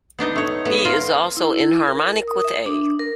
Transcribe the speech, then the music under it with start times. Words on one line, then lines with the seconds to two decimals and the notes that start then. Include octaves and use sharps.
B is also enharmonic with A.
0.19 B3 D4 D#4 D#5
0.36 A3 C#5
0.65 A3 B3
0.85 F4 A#4
1.37 E4
1.88 A#4
2.28 D#6
2.44 E5
2.66 D4
2.99 A#4